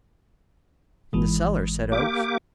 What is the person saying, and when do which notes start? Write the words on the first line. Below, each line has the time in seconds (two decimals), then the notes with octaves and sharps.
"In the cellar," said Oakes.
1.13 G#1 E3 G#3
1.92 A#3 G4 D6